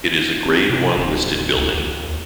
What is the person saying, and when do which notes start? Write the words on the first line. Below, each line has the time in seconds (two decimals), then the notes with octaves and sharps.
It is a Grade One listed building.
0.46 C4
0.70 C3
0.95 D1
1.56 C#2
1.74 D#2